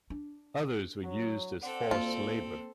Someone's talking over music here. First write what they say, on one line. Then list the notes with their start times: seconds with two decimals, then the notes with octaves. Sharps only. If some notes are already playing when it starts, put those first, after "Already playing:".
Others were used as forced labor.
0.10 D4
1.04 F#3
1.62 C4 A4 D5 F#5
1.91 D2 A#3 F4